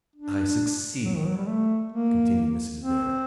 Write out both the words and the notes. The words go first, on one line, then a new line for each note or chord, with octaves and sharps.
"I succeeded," continued Mrs. Adair.
D4
F#3
D#3
F#3
G3
A3
A#3
C4